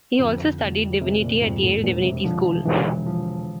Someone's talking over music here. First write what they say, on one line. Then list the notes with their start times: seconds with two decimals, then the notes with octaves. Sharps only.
He also studied divinity at Yale Divinity School.
0.19 F2 D3
0.60 F1
1.01 F1 C3
1.22 A#2
1.42 F2 G#2
1.63 A2
1.84 E1 A#2
2.04 C3
2.24 D3 F3
2.45 E3
2.65 E1 E3
3.06 F3